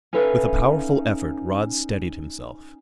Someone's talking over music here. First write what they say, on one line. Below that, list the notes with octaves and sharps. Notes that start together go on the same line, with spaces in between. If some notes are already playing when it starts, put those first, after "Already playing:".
With a powerful effort Rod steadied himself.
C#4 D#4 A4 B4 E5 F5